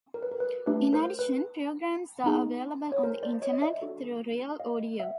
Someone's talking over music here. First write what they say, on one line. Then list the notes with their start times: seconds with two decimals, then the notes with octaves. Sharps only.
In addition, programs are available on the Internet through RealAudio.
0.14 A#4
0.23 B4
0.32 A#4
0.40 B4
0.66 A3 D4 G4 B4
0.93 A#4 C5
1.19 B4
2.24 B3 D#4 G#4
2.92 C#5
3.03 A#4 C5
3.23 C5 D5
3.42 C#5 D#5
3.53 D#5
3.62 D5 E5
3.81 D4 F#4 A4
4.60 D#5 F5
5.00 E5 F#5